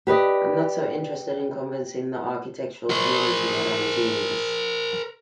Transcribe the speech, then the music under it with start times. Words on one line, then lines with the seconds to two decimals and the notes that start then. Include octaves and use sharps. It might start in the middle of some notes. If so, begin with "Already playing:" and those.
I'm not so interested in convincing the architectural community that I'm a genius.
0.07 G4 B4 D5 D#5
2.90 A#4 C5